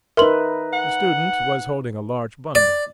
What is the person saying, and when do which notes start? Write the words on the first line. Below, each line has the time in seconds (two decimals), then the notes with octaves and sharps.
The student was holding a large bundle.
0.17 D#4 A#4 B4 E5 C6 F#7
0.73 F#5
2.55 D5